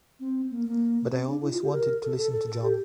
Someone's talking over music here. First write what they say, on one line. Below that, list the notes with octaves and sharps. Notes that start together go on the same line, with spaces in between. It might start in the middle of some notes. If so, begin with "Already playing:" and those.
But I always wanted to listen to John.
C4
A#3
A#3
C4
D4
E4
F4
G4
A#4
A4
A4
A4
A4
G4